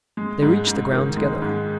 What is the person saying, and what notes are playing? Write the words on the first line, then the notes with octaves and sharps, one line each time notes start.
They reached the ground together.
G#3
G#2
G#2
D#3
G#3
G#2